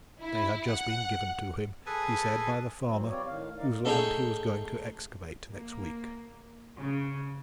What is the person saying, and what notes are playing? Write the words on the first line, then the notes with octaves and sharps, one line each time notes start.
They had just been given to him, he said, by the farmer whose land he was going to excavate next week.
E4
F#5
G#4 A4 B4 G#5
B2 F#3 C4
G3 C4 F4 C#5 D5
A2 D#3 F5
D#4 A#4 D5 F5
A3 C#4 D#4 G#4 C#5 G5
A#3
C#3